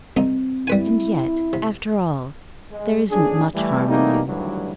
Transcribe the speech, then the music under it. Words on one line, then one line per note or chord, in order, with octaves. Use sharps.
And yet, after all, there isn't much harm in you.'
C2 C4 D#4
G3 E4 B4 G#5
C3
G#3
A1 F2 D4 G#4
E3 G3 A3
E3 G3 A3 A#3 D#4
D2 G2 D#3 E3 F#3 G3